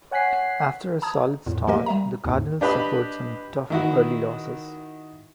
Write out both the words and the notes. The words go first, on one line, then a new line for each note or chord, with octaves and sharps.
After a solid start, the Cardinals suffered some tough early losses.
C#5 F#5 G#5 F#6 B6 C7
A5 A#5 D#6 G#6
E2 A2
F3 A#3 G4 A#4 D#5
G3 E5 A#5
D#2 G#2
D4 G4 B4 D#5 B5
D#3 E4 F#4